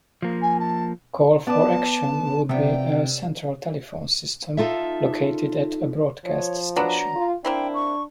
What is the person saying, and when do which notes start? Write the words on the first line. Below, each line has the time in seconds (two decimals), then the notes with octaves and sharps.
Call For Action would be a central telephone system located at a broadcast station.
0.22 F3 A#3
0.42 G#5
0.59 A5
1.47 B3 D5 A5 D6
2.49 C3 G3 B3 G5
4.57 D#4 F4 A4 E5
6.25 F3 C#5
6.76 F#3 B3 D4 A#5
7.15 F4
7.45 A#3 C4 D4 E4 G5
7.74 C#6